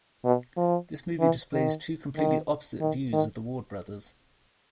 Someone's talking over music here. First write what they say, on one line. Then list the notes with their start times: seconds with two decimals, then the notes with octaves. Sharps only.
This movie displays two completely opposite views of the Ward brothers.
0.25 B2
0.57 F3
1.20 E3
1.53 D#3
2.17 D#3
2.81 D#3
3.12 D#3